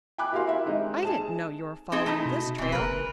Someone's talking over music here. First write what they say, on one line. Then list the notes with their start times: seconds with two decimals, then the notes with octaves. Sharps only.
I didn't know you were following this trail.
0.18 G5 G#5 B5 D6 F#6
0.32 E4 F#4 G4 A#4 F5 C6
0.47 E4 E5
0.66 G#3 C4 D#4 G4
1.03 G#4 A5 E7
1.92 C4 D#4 G#4
2.06 A3 D#4 E4
2.26 B2
2.58 D1 E3 C4
2.72 F#1 A#4 B4